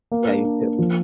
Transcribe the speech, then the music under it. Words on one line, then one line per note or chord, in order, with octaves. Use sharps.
Yeah, you too.
A#3
D4
D4
A#3
F3